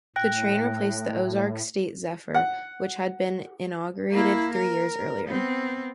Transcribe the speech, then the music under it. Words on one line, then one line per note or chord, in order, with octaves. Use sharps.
The train replaced the "Ozark State Zephyr", which had been inaugurated three years earlier.
A2 G5 F#6 A#6
F#5
A#3 E4
A#4
B3 C4